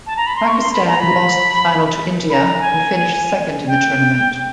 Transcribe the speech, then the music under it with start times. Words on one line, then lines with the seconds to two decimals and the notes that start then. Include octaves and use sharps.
Pakistan lost the final to India and finished second in the tournament.
0.07 A5
0.17 A#5
0.26 B5
0.36 C6
0.47 C#6
0.59 C6
0.73 B5
0.87 A#5
1.00 B5
2.30 B5
2.33 A#5
2.60 G#5
3.67 G5